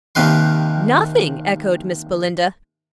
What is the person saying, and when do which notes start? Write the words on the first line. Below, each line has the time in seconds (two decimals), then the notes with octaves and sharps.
"Nothing!" echoed Miss Belinda.
0.15 D#2 C3 D#3 B4 C6